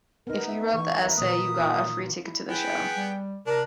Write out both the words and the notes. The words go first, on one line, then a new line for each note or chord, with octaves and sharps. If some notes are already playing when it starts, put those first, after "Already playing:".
If you wrote the essay, you got a free ticket to the show.
B3 D#4 A#4
E5
E3 C#6
A#4 B4 E5
A#2 D#3 A#3 D#6
F4
E4
B3 E4 G#4 G5
G3
C3 D4 A#4